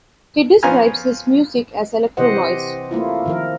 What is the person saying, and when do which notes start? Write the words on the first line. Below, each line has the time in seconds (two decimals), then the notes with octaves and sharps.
He describes his music as electro-noise.
0.63 F3 B3 C#4 F4 G#5 A#5
2.17 C3 E3 G4 C5 D#5 F#5
2.91 A3 A#3 E4 F4
3.26 D#3 F3 A#4